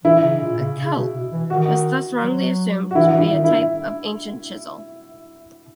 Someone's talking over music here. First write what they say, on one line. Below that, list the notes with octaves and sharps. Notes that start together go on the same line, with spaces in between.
A 'Celt' was thus wrongly assumed to be a type of ancient chisel.
E3 E4
C#3
A#2
C#3
C#3
B2
B2
E3
D#3 F#4
F#3
F#4
E3 E4
E3
E4
D#3
E4